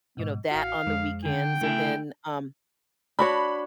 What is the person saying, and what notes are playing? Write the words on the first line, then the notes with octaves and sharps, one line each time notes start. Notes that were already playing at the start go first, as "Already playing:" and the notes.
you know, that on the weekends, and then, um
G#2 B2
A1 F#4 F5
F2 G#3
D3 G5
C#3 A3 E4 G#4
D4 F#4 C#5 B5